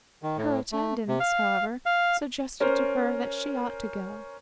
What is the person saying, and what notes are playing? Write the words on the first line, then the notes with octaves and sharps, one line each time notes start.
Her attendants, however, suggested to her that she ought to go.
D#3
A2
A3
C3
F5
F5
C#4 A#4 C5